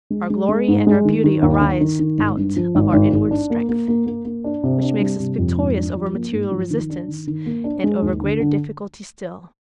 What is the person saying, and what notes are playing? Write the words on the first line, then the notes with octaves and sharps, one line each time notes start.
Our glory and our beauty arise out of our inward strength, which makes us victorious over material resistance, and over greater difficulties still.
G#3
G#3
G#3
G#2
G#3
D#3
D#3
D#2
D#3
D#3
D#3
G#1
G2
F3
G#1
G#1
G#1
D4
A#3
A#3
A#3
A#3
A#3
D4
C3
D4
G3
C3
F2
G#2
D4
F3
A#3
G#2
F3
D#3
D4
D#3
D#3
A#3
D4
G#3
D#2
D3
D3